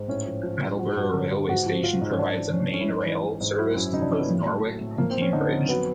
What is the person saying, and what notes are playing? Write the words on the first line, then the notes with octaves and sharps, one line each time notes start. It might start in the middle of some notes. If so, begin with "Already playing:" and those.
Attleborough railway station provides a main line rail service to both Norwich and Cambridge.
Already playing: G#2
A2 C#4
F3
F3
A2
F3 F#4
G2 F#4
D3 A#4
G2
G#2 F#4
F3
F3 F4
G#2 D#4
C#4
G#2 D4
E3
E3 C#4
D4
G#2 C#4
E4
G#2 D#4
E3
E3
G#2
F#3 E4
F#2
C#3 D#4
D4
F#2 C#4
B3
A2 A#3
F#3 A3
F#3
A2
F3 A#3
C4
F2
C#4
D3 D#4
F2
F#3 B3